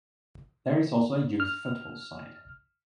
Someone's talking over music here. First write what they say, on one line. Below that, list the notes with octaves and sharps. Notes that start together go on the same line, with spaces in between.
There is also a youth football side.
F6